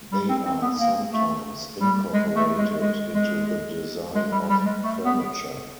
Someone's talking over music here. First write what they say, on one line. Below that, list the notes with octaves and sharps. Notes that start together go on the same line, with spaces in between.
They are sometimes incorporated into the design of furniture.
G3
C4
C4
B3
A#3
A3
G3
G#3
A3
G#3
G#3
G#3
G#3
G3
G3
G#3
A3
B3